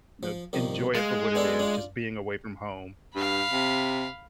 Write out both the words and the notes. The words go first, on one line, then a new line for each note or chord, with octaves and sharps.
You know, enjoy it for what it is, just being away from home.
F3
C2 D#3 F3
G#3 F5
B3 D4 A4
D4 F4
G2 F5 B5
C3